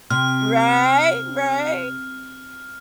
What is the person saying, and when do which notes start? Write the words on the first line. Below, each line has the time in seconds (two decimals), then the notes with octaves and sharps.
Right, right.
0.10 C3 F6